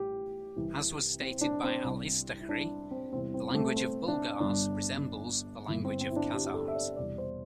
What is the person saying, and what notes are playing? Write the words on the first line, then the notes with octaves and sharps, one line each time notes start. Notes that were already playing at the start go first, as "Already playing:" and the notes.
As was stated by Al-Istakhri "the language of Bulgars resembles the language of Khazars".
Already playing: A1 A2 G4
C2 C3 E3
C4
D4
C4
C2 C3 G3
E4
D4
C4
E2 C3 E3 G3 C4
C4
C4
A3
C4
D4
G1 G2 G3 D4
G1 G2 D3 E4
C4
C4
E4
D4
G4
G4
A4
E5
D5
E1 E2 C3 G3 D5
C5